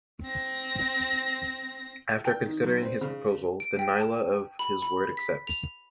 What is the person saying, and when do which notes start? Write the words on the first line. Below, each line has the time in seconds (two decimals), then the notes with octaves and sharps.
After considering his proposal, the Nyla of his world accepts.
0.24 C4 A#6
2.25 G5
2.45 D#3
2.64 B1
2.82 C4
3.01 C#3
3.60 D7
3.79 G5
4.00 A5
4.59 B5
4.82 B5
5.17 B6
5.47 F7